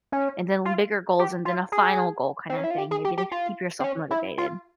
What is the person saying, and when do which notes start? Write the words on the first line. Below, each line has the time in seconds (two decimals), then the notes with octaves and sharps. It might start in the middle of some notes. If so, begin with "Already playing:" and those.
and then bigger goals and then a final goal kinda thing, maybe to keep yourself motivated.
0.12 C#4
0.65 F4
1.19 G4
1.45 F4
1.72 G#4
2.49 C4
2.57 C#4
2.64 E4
2.71 F4
2.78 G4
2.91 G#4
3.04 G4
3.17 G4
3.31 F4
3.80 C4
3.84 C#4
4.11 E4
4.38 F4